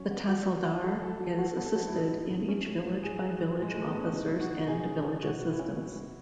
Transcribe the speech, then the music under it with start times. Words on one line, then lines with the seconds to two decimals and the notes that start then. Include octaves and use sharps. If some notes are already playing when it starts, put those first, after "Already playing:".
The Tahsildar is assisted in each village by village officers and village assistants.
Already playing: F#3 C#4 F#4
0.11 B3
0.29 F#4
0.47 F#3
0.65 F#4
0.83 F#4 A4
1.02 F#3 A4
1.20 F#3 A4
1.39 F#4
1.46 A4
1.57 B3
1.66 A4
1.76 F#3
1.87 E4
1.93 A1 D#4
2.11 A1
2.30 A2
2.48 C#4
2.66 A2
2.85 A2
3.03 A2 G#4
3.22 F#3
3.40 A1
3.58 A2 G#3
3.74 A1 A3
3.87 B3
3.94 A2
4.00 C#4
4.13 B2 D#4
4.31 C#2
4.40 F#4
4.49 C#2
4.67 B2 G#4
4.86 C#4
5.04 C#4
5.23 B2 F#4
5.41 B2
5.50 E4
5.59 C#4
5.77 B2
5.96 C#2